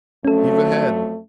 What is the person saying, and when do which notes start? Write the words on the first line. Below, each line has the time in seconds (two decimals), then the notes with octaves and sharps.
"Heave ahead."
0.25 F2 F#3 A3 C#4 A4